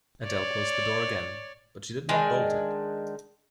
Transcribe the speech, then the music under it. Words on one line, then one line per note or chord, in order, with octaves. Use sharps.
Adele closed the door again, but she did not bolt it.
C#5 D5
D#3 G#3 D4 G#5